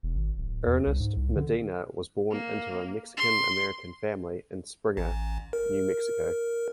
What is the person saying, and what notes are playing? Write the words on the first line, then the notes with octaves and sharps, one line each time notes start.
Ernest Medina was born into a Mexican-American family in Springer, New Mexico.
E1
G#1
D1
E2
C2
G#2
C2
D3
A#3
C6
A1
A#4